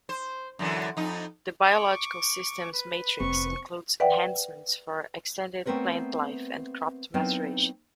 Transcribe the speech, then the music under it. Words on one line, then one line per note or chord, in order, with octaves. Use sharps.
The biological systems matrix includes enhancements for extended plant life and crop maturation.
C5
F#2 D3 E3
F2 D#4
C#6 D6
B4
F1 C4 C#6
B4 D5 E5 F#5 G5
A3 B3 C4 A#4 B4 C#5
F#3 B3 C4 D#4 E4 A#4